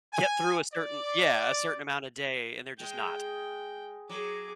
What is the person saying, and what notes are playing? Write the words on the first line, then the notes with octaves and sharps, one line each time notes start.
get through a certain yeah, a certain amount a day and they're just not.
G#5
D5
G#3 G5
F#3 G#4 D6